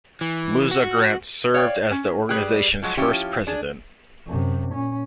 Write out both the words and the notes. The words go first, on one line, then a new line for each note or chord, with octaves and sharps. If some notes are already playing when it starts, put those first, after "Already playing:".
Mooza Grant served as the organization's first president.
E3
F#4
C#5 D5 F5 G5
C#4
G3 G#4 B4 G5
F3 F#3 G#3
F3 C#4 E4 F4 G4
D4 G#4
F#2 C3
A#2 C#4